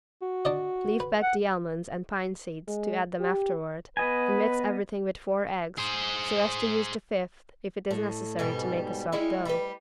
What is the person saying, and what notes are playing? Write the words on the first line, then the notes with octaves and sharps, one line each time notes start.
Leave back the almonds and pine-seeds to add them afterward, and mix everything with four eggs, so as to use the fifth if it is necessary to make a soft dough.
F#4
D4 D5 D#5
B4
F#5
G#3
G4
B3 B4 D#5 G#5
G#4 C5
A2
G#2 B2 G3
G3 G#3 E4
G3 B4